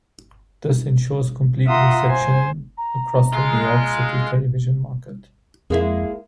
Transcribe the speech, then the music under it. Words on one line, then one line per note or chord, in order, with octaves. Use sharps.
This ensures complete reception across the New York City television market.
F4 E5 F#5 A#5 C6 D#6
C5 G#5
A#5
G#3 F4
F2 G#3 A#3 E4